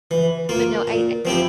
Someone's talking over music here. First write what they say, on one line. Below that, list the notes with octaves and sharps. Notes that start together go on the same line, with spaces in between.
But no, I I
E3
A#3 F4
A#2
F3 C4 E4 G4